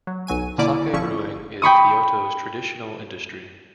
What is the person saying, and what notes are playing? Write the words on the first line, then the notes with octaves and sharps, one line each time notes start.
Sake brewing is Kyoto's traditional industry.
F#3
B1 F#3 G#5 D#7
B2 D3 A#3 E4 D5 D6
G1 D3 F3 C#4 E4 C#6
G5 B5 C#6 D#6